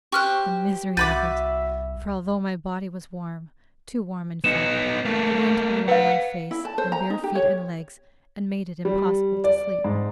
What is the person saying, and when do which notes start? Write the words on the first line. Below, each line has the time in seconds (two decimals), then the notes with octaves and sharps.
The misery of it! for although my body was warm--too warm, in fact--the wind blew on my face and bare feet and legs, and made it impossible to sleep.
0.12 G4 C5 C#6 F6 F#6
0.97 C2 F#4 E5 B5 D6 G6 A6 D#7
4.44 B3 D#4 C#7 E7
5.05 A3 A#3
5.88 B4 C5 F5 F#5
6.51 E4
6.65 A5
6.78 C5
6.92 A#5
7.10 D#4
7.24 G4
7.35 C#5
8.85 G3
9.44 D5
9.84 G#2